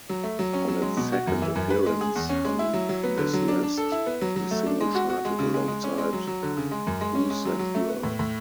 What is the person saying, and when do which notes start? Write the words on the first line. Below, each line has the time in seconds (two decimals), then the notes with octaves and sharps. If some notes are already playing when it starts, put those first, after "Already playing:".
On its second appearance on this list, the single charted alongside Who's That Girl?
0.09 F#3
0.23 A3
0.39 F#3
0.53 C#4
0.68 F#3
0.82 G#3
0.97 B2
1.12 F#4
1.27 F#2
1.42 E3
1.55 F#2
1.70 B4
1.86 G#3
2.01 G#4
2.15 E2
2.29 C#4
2.45 G#3
2.59 E4
2.74 F#3
2.89 F#3
3.03 B3
3.17 D3
3.33 F#3
3.48 D4
3.63 D4
3.78 A4
3.92 E4
4.06 B3
4.21 F#3
4.36 F#3
4.51 A3
4.66 D4
4.80 G#3
4.95 F#4
5.09 F#4
5.25 G#3
5.39 C#3
5.54 G#3
5.68 G#3
5.84 C#4
5.98 G#3
6.13 F#3
6.27 F#3
6.43 D3
6.57 C#3
6.71 G#3
6.87 F#2
7.01 G#3
7.15 C#4
7.30 G#3
7.45 F#3
7.59 F#3
7.75 A3
7.89 B3
8.03 A2
8.19 A2